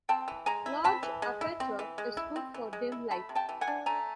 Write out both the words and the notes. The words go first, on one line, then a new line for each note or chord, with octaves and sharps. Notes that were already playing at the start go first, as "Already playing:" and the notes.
Large aperture is good for dim light.
C4 G5 A5
E3
G#3 G#5 A#5
E4
C4 A5 B5
E3
G#3
E4
C4
E3
G#3
E4
C4
E3
G#3
E4
A3 A5 B5
C3
G5 A5
E3
F#5 G#5
D4
A3 G#5 A#5